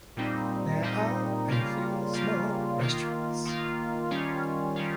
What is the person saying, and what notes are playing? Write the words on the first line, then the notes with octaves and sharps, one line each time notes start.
There are a few small restaurants.
A#2 G3 C4 D#4
A#2 G3 C4 D#4
C#3 G3 A#3 F4
C#3 G3 A#3 F4
D#3 A#3 F4
D#3 A#3 F4
D#3 G3 C#4 F4
D#3 G3 C#4 F4